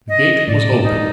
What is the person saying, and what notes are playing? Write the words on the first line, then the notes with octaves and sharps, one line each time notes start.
The gate was opened.
D#5
A2 B3 D5
G#3 D#4